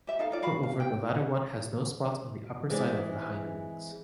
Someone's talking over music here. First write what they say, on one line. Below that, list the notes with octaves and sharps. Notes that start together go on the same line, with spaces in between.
Moreover the latter one has no spots on the upperside of the hindwings.
G4 E5
D#4 A4 F5
D#4 F4 D5
F#4 F5 B5
F5
G5
E3 G#3 C4 G#4 D5